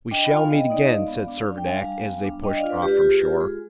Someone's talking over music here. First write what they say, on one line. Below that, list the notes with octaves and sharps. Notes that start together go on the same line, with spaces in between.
"We shall meet again," said Servadac, as they pushed off from shore.
D4 D#5 G5
G5 B5
F4
F5 G#5
B3 D#5 G5
D#4 D5
D#5
G#3 D5 F5
B3
D4
D4
G5
G3 F5 G#5
G3
B3
D4
D4 D#5 G5
D5 F5
F4
B4 D5
G#3 G4 B4
G4 B4
F4
G#4
F4 G4
G#3 G#4